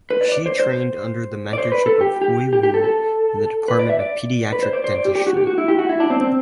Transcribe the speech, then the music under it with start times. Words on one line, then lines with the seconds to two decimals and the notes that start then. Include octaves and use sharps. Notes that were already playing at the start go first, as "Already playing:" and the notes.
She trained under the mentorship of Hui Wu in the Department of Pediatric Dentistry.
0.11 B4
0.21 D5
0.32 D5
0.46 C5
0.60 C5
1.53 D5
1.58 C5
1.72 B4
1.86 A4
2.01 G4
2.22 G4
2.53 G4
2.63 G4
2.74 A4
2.84 A4
3.68 B4
3.79 D5
3.90 E5
4.00 D5
4.53 B4
4.63 C5
4.73 D5
4.84 C5
4.94 D5
5.05 G4
5.15 G4
5.27 F#4
5.37 G4
5.47 F#4
5.58 E4
5.68 G4
5.79 F#4
5.89 E4
6.00 D4
6.10 C4
6.21 C4